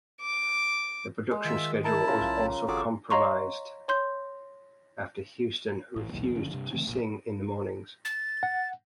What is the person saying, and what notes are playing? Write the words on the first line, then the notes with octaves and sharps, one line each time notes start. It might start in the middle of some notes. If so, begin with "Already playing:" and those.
The production schedule was also compromised after Houston refused to sing in the mornings.
D6
G#3
D#3 F4 E5 E6
E4 A#4 A5
C#3 F4 A#4
B1
G#1 F4 F#4 G#4 A4 D6
C#5 D#5 F5 A#5 C6 C#6
C#5 C6 G6
A1 A2 E3
B1 E2 A#2
F#1 D3 F3 C#4
G2 C3
C#3 E3 A3 C4
F1 A#1 A#2
A6
F#5